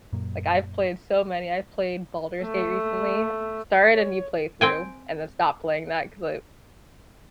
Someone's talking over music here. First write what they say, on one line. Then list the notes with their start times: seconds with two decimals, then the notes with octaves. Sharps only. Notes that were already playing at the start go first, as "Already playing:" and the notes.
like, I've played so many. I've played Baldur's Gate recently. Started a new playthrough and then stopped playing that 'cause, I
0.13 F#2 A#2 A#3
2.44 A3
3.92 C#5
4.61 C4 G5 G#5